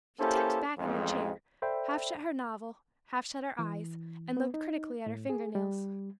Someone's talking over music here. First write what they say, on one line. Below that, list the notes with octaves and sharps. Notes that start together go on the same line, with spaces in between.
She tipped back in her chair, half shut her novel, half shut her eyes, and looked critically at her finger-nails.
A#3 C#4 E4 G4 A4 C5
A1 F2 G#3
A4 C5 D5 E5 G5 B5
E3
B3
D#4
A2
G#4
G3